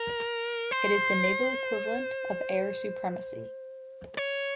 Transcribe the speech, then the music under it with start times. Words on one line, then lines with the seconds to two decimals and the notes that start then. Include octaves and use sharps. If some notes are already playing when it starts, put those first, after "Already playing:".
It is the naval equivalent of air supremacy.
Already playing: A#4
0.71 C5
4.17 C#5